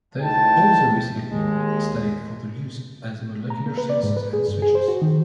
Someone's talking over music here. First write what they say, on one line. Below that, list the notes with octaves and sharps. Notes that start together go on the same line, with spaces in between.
They have also recently been studied for their use as molecular sensors and switches.
D2 D#4 E4 G5 A5
D#2 G#3
A#5
A#3
B4
D5
G#2
B4
G#4
G2
G#4
C5
F#4
D#3